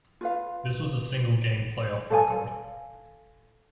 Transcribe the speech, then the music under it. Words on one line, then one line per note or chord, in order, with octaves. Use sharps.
This was a single game playoff record.
F4 B4 F5
A4 F5 G#5